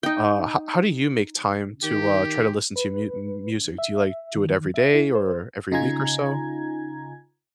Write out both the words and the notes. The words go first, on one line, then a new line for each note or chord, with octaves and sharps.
uh, how how do you make time to, uh, try to listen to mu music? Do you, like, do it every day or every week or so?
D#4 G5
D#3 G4
B4
E5
D#3
E5
E4
C5
C#3 D#4 F4 G#5 A#5 G#6